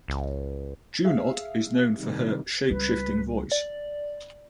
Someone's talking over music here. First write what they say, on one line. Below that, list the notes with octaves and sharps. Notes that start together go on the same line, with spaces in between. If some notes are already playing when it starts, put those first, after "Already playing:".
Junot is known for her "shapeshifting voice".
C#2
G#4 E5 F5
C3 D#3 G3
C#2 G3 B4
D5